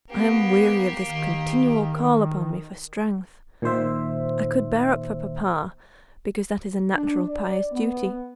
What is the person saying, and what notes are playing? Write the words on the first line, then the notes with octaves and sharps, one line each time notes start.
I am weary of this continual call upon me for strength. I could bear up for papa; because that is a natural, pious duty.
A#3 B3 G4
D#3
A#2 D#3 C5 E5
D4
D5
B3